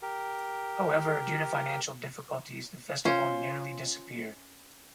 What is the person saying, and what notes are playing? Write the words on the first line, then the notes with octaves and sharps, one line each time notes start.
However, due to financial difficulties, the festival nearly disappeared.
G4 A#4
C#4 F4 C5